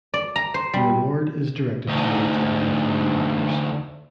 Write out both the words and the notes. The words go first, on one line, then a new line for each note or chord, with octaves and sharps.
The Award is directed towards Anglophone writers.
D5
A#5
C5
G3
D2 D#4